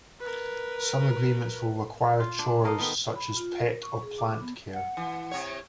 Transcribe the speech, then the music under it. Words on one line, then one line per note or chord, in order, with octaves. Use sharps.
Some agreements will require chores such as pet or plant care.
A#4 B4
F4
D4
A4 A#4 D#5 F5
D#3 B3
B5
F4
A#4
C#6
G#4
D6
B3
F#5
E3
C3 C#5